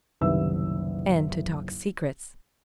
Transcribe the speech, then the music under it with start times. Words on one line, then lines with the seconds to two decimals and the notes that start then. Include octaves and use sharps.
"And to talk secrets."
0.21 F#1 C2 D#3 B4 E5 E6